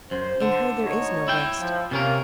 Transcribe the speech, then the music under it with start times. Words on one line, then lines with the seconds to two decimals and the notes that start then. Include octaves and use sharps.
In her there is no rest.
0.11 F#2 C5
0.42 D3
0.84 D2 D#4 C#5
1.28 E4 G5
1.60 F3
1.91 C3 A#3 C#4 A#4